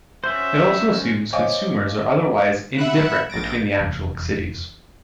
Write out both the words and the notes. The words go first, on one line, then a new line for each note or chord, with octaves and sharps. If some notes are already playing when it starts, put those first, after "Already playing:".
It also assumes consumers are otherwise indifferent between the actual cities.
C#4 F#4 C5 E5
C5 C#5 D#5 F5 G#5 D6
E5 F#5 B5 F#6
A#1 A6 A#6 D7
F1 E2